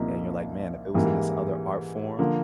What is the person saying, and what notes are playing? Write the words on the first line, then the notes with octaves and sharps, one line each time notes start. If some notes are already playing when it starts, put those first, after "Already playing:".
and you're like, "Man, if it was in this other art form,"
Already playing: C2 A#2 F3 A#3 D#4
G#2 E3 G3 A#3
D3 F3 A#3